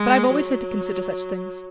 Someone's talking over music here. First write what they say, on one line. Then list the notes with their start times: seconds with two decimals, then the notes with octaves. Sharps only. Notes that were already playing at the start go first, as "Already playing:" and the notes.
But I've always had to consider such things.
Already playing: G#3
0.31 F#3